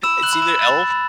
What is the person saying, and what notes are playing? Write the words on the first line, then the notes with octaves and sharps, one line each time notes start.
It's either Elf
B5 E6 E7
F#6 F#7
B5
E6 E7
B5 A6
B5